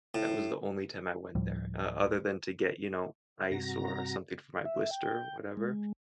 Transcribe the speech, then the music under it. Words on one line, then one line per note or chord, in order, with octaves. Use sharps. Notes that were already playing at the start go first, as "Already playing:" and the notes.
that was the only time I went there, uh, other than to get, you know, ice or something for my blister, whatever,
A2
D2 A2 F3 G3
G2 C3 F#4 A#5 A#6
E5
G5
G#3